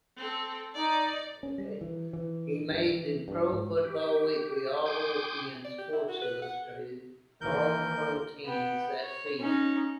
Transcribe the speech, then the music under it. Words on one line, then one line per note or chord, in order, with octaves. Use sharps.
He made the "Pro Football Weekly" All-Rookie and "Sports Illustrated" All-Pro teams that season.
C4 A4
D#4 D5
C#4
G3
E3
E3
G2
E3
G2
G#2
G4
G5 G#5 C6 D6 D#6 G6
D5
G4
E4
F#4
B4
F#5
D#2 E3 A#4 G6
B3 G5
C#5
C#4 D#4